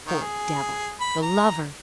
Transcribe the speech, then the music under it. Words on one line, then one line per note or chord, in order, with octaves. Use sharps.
Poor devil--the lover!
D#3 A#3
G#4
B5
A#5